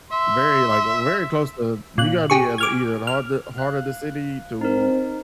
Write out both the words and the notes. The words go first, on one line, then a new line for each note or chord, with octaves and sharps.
very, like very close to you gotta be at either the heart the heart of the city to
E5 C6
A#2 F#6
G4 G#4 C#6
D6 F6 G#6
F6
F5 F#6
C4 D#4 A#4